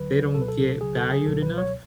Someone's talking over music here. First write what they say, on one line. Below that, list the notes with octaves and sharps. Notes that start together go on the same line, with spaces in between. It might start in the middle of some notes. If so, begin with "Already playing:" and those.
they don't get valued enough
Already playing: D2 D3 F#3 B4
C#2 B2 F#3 A4
B4
A4
C#2 C#3 F#3 G#4
A4
G#4
C#2 B2 F#3 A4
B4
C#5